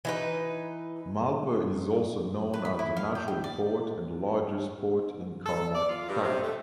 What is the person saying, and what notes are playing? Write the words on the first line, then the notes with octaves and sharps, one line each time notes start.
Malpe is also known as the natural port and the largest port in karnataka.
E3 D#4 B4
B4
B5
E4
F5
G5
G5
D5
A4
D5
F4
G2
C3
A3